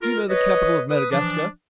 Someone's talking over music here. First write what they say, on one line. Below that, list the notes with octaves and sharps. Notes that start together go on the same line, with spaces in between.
Do you know the capital of Madagascar?'
F4 A#4
B4 C#5 D#5
B4 D#6
E3 F3 D4